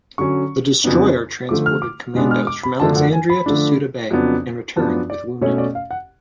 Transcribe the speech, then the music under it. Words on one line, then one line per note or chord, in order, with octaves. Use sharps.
The destroyer transported commandos from Alexandria to Suda Bay, and returned with wounded.
D3 F#3 C#4 C#6
F2 C#3 F#3 B3 D4
D3 F3 A3 D6
F6
D6
B2 G#3 B3 D4
F6
D6
B5
F#2 D3 F3 A3 D4 A5
F#5
G#5
B5
D3 F3 A3 D4
F2 C#3 F#3 B3 D4
F#2 F3 B3 D4 A5
D5
B2 A3 C#4 C#5
D5
F5
F#5